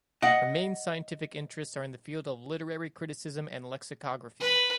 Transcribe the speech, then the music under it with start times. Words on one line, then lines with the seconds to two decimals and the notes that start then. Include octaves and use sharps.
Her main scientific interests are in the field of literary criticism and lexicography.
0.22 D#5 F#5
4.41 B4